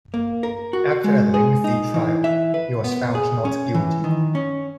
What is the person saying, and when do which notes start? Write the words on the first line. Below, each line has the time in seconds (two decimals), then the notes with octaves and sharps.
After a lengthy trial, he was found not guilty.
0.14 A#3
0.43 A#4
0.73 F#4
1.04 G#3
1.34 G#4
1.64 D#4
1.94 E3
2.24 E5
2.54 B4
2.84 B3
3.15 G#4
3.45 C#4
3.74 E3
4.04 D#3
4.35 C#4